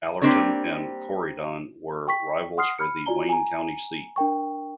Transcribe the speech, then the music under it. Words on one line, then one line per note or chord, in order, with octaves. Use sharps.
Allerton and Corydon were rivals for the Wayne County seat.
G3 A#3 C4 D4 A#4 C#5
G5 C#6 B6
F#5 C6 D#6 F6 C7
B5 F6 C#7
F4 F#4 D5 G#5 A#5 G7
G#5 A#5
D4 A#4 G5 C#6